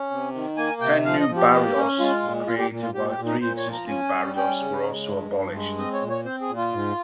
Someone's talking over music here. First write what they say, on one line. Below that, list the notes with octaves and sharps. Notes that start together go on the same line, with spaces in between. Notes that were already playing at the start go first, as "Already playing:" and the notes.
Ten new barrios were created while three existing barrios were also abolished.
Already playing: C#4
C3
D#3
A#3 G#5
C3 G5
F3 F5
D#5
F3
G4
A#3
C#4
G#3 F4
A#2
A#2 F4
G4
A#2
F4
A#2 G4
G4
A#2
D#4
A#2 C5
C#5
F3
A#5
C#4 G#5
G3
C#4 G5
C#3
G#3
G2
G2
G#3
C4 D#5
C#5
A#2
C#5
C4 C5
G#4
A#2
F4
G#2